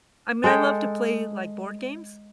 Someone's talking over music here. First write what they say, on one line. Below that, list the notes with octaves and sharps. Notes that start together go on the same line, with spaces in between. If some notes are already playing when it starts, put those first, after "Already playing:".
I mean, I love to play, like, board games.
G#3 A4 G5